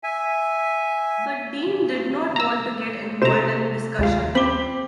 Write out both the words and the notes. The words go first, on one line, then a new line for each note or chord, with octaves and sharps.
But Dean did not want to get involved in discussion.
E5 G#5
A#5 E6
C3 A3 C5 A#5 E7
D#2 G#3 F4
C4 C5 B5 D6 G7